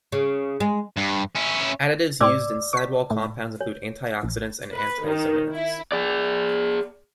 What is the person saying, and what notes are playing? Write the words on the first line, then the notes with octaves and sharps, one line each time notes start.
Additives used in sidewall compounds include antioxidants and antiozonants.
C#3
G#3
G2
C#4 E4
A2 C4 D5 D6 E6
C#6 B6
A2
C#5
A#1
B4
D#3
E4
G#4 D5